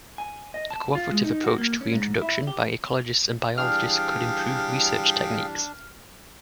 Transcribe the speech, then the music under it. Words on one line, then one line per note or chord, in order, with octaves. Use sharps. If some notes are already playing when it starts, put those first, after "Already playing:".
A cooperative approach to reintroduction by ecologists and biologists could improve research techniques.
G#5
D#5
A5
F4
G#3
D#4
F#4
A#3
C#4
G#2
E4
G4
E3 G3 D4 G#4 F5 G5 F6